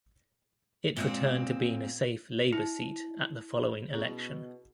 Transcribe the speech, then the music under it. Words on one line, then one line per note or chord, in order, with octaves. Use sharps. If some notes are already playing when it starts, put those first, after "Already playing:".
It returned to being a safe Labor seat at the following election.
A#2 G#3 C4
E4
B2 C#4 E4 G#4